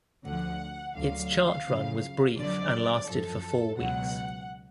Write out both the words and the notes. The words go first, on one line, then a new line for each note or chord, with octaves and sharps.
Its chart run was brief and lasted for four weeks.
D2 D3 F3 F#5
D2 D3 F#3 F5
F#2 C#3 F3
F2 D3 F#3 D5
F#2 F3 A4
C#2 B2 F#3 F#5